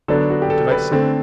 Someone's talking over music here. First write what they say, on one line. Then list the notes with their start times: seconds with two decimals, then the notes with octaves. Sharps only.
What did I say?
0.08 D3 F#3 B3 D4 A4
0.30 F#4
0.42 G4
0.50 A4
0.71 B4
0.92 D3 A3 C4 A4